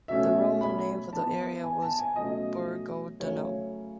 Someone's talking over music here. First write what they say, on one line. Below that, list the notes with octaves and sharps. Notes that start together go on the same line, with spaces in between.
The Roman name for the area was "Burgodunum".
B2 A3 C#4 E5
B5
E3 B3 A5
G#5
A5
G#5
B2 F#3 A3 C#4 D#5
C#3 F#3 A3 C#4 C#5